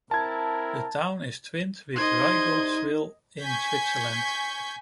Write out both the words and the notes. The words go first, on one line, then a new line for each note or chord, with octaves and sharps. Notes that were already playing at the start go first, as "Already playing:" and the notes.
The town is twinned with Reigoldswil in Switzerland.
C4 E4 A#4 A5 G#6
C2 D#4 C5 D#5 C6 G#6
G#5 C#6 G6 G#6 B6